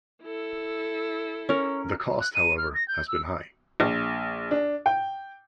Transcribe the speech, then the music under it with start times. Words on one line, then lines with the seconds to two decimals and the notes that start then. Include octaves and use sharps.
The cost, however, has been high.
0.23 E4 A4
1.49 C#4 A#4 C#5
2.21 F#6
2.35 D#7
2.58 F6
2.74 A#6
2.88 G6
3.08 E6
3.80 A#1
4.51 D4
4.86 G5